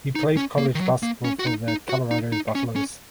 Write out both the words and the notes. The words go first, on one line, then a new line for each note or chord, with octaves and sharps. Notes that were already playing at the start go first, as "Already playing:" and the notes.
He played college basketball for the Colorado Buffaloes.
D#4
C#4
A#3
D#3
F#3
A#3
C#4
F#4
D#4
D#4
F#4
D#4
D#4
C#4
C#4